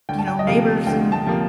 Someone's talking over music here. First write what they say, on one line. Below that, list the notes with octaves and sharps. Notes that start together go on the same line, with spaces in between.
you know, neighbors and
D2 G5
A5
G5
D#5
C3 F3 A#3 F5
D2 G5
A5
C3 F3 A#3